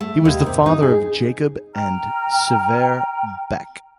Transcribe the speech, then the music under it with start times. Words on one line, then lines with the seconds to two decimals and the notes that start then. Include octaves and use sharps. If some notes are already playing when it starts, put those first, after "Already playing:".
He was the father of Jacob and Sivert Beck.
0.01 A3
0.25 D#2
0.46 C3
0.66 D#4
0.82 G#4
1.75 G5 A#5 F6